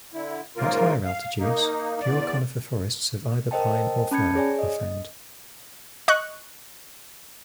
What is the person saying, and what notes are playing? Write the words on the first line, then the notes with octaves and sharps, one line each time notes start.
At higher altitudes, pure conifer forests of either pine or fir are found.
D3 E4
G#2 C#3 A#3 F4 A#4
F5
A#3 D#4
E2 D5
A#4 C5 D#5 G5 A5
C#4 A5 B5 G6 G#6 C#7
G#4 C#5 D5 G#5
D#5
D#5 C#6 F#6